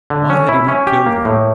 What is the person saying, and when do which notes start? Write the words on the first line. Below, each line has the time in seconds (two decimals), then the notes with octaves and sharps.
Why had he not killed her?
0.10 D3
0.30 C#4
0.49 E4
0.68 C#4
0.87 G4
1.06 A#3
1.25 A2